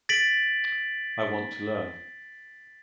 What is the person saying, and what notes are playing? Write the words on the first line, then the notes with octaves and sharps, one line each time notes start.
I want to learn.
A6 B6 D7 F#7